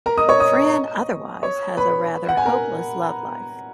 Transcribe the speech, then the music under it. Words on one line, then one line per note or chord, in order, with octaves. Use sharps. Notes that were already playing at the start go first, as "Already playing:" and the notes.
Fran otherwise has a rather hopeless love life.
A#4 A#5
D#5 D#6
C#5 C#6
D#5 D#6
C#5 C#6
B4 B5
F#5
G#5
A#4 A#5